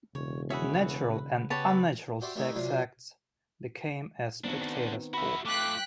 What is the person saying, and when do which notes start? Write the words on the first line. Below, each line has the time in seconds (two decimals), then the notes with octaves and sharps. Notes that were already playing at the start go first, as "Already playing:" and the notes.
Natural and unnatural sex acts became a spectator sport.
0.15 E1 C#3 C#5
0.50 C#4 F#4 G#4 B4 E5
1.50 B3 G4 B4 C#5 A5
2.21 F#4 G4 C5 D5 E5
2.35 G3 A3 A#3 C#4 D#4 E4
2.55 C3 F#3 D4 F4
4.44 D#3 B3 C4 D4 F#4
5.14 F#4 E5 B5
5.45 A3 F4 G5 D6 F#6 B6